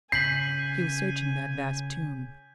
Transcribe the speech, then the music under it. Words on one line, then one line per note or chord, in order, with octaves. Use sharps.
He was searching that vast tomb.
C#3 G#5 G6 B6 C7 F#7